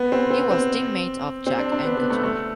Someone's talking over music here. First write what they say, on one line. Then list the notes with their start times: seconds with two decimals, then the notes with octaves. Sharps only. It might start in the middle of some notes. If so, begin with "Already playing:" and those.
He was teammate of Jacques Anquetil.
Already playing: B3
0.12 C4
0.30 C4
0.51 C4
1.47 C4
1.59 D4
1.72 D4
1.85 B3
1.97 B3
2.10 A3
2.23 A3